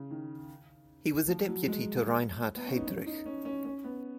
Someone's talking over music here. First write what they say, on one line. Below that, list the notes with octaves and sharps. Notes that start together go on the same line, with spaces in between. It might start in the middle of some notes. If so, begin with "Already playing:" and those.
He was a deputy to Reinhard Heydrich.
Already playing: C#3
D#3
F3
F#3
G#3
B3
C#4
D#4
C#4
D#4
C#4
C#4
C#4
B3